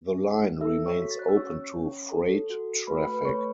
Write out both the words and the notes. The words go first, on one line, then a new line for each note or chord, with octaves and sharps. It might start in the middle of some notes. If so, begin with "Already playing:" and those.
The line remains open to freight traffic.
C#4
A4 E5 E6
C#5 C#6
F#4 B6
A6
F#6
E6
C#4 C#5 C#6
C#4
A4
F#4
A3 B4 B5
B4 B5
A3 C#5 C#6